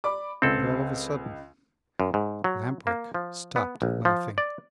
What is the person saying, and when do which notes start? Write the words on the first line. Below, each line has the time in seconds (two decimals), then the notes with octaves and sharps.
But all of a sudden Lamp-Wick stopped laughing.
0.04 D5 B5 D6
0.42 C#2 C4 A4
2.00 F#2
2.14 G#2
2.44 F#3
2.87 A#3
3.14 F3
3.56 B3
3.82 A#1
4.05 F3
4.38 D5